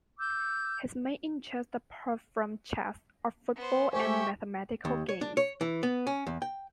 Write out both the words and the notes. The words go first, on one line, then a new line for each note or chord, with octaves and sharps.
His main interest apart from chess are football and mathematical games.
D6 E6 G6
B3 C5
A3 G4 C5 E5 G5 G#5 C#6
D#2
C#5
D4
C#5
E3
B3
C#4
E2
G5